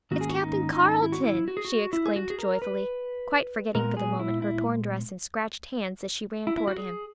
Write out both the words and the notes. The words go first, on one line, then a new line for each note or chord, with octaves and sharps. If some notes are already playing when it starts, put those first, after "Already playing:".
"It's Captain Carleton!" she exclaimed joyfully, quite forgetting for the moment her torn dress and scratched hands as she ran toward him.
G#2 D#3 A#3 C#4 F#4
G#4
F#4
D#4
D#4
E4
F#4
E4
F#4
G#4
F#4
E4
G#4
F#4
G#4
A#4
B4
A#2 G#3 B3 A#4
G#4
E4
E4
E4
E4
F#4
G#4